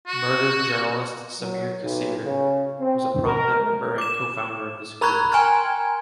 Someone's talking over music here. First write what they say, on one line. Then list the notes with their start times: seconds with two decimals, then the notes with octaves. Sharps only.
Murdered journalist Samir Kassir was a prominent member and co-founder of this group.
0.07 F#4
1.40 F#3
1.82 B1
2.23 C#3
2.80 C4
3.25 A#4
3.98 D6 E7
5.01 A#4 A#5 B5 C#6 F#6 G#6
5.32 G5 G#5 A#5 C6 F6 G#6